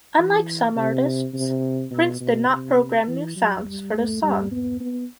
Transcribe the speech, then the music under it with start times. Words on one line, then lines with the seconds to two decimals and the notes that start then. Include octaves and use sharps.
Unlike some artists, Prince did not program new sounds for this song.
0.18 E3
0.76 C3
1.34 C3
1.91 B2
2.20 B2
2.49 C3
3.07 E3
3.36 F#3
3.64 G3
3.93 A3
4.22 G3
4.51 B3
4.80 B3